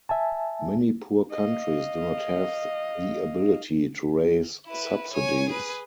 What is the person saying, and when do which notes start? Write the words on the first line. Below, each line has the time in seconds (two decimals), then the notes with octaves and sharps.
Many poor countries do not have the ability to raise subsidies.
0.09 E5 G#5 A5
1.31 D#5 F5
4.66 E4 B4
5.13 C#5 G#5
5.49 G#4 B4